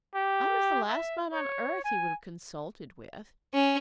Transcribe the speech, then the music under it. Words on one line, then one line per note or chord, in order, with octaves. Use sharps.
I was the last man on earth he would have consulted with.
G4
E5
C#5
G#5
C#4